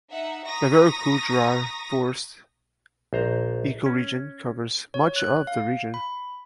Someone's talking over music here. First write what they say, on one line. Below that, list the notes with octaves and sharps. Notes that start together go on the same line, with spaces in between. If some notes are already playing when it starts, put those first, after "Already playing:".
The Veracruz dry forests ecoregion covers much of the region.
D#4 E5 F#5
A#5 C#6 D#6 A#6 B6
A#1 C5 A#5
C#4
C#5
F#6
F5
B5